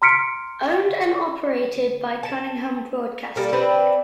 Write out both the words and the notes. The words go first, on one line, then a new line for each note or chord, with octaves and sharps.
Owned and operated by Cunningham Broadcasting.
A#5 C6 F6 B6 C#7 D7
A5
G3 A#3 A4
C4 D4 B4